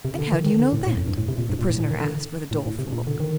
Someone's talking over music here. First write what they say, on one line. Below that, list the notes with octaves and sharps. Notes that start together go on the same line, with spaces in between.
"And how do you know that?" the prisoner asked, with a doleful look.
C3
D3
D#3
D#3
D3
A2
A2
F2
G2
A2
C3
A#2
G2
A#2
A2
A2
D#3
D3
A2
A2
C3
A#2
D3
D#3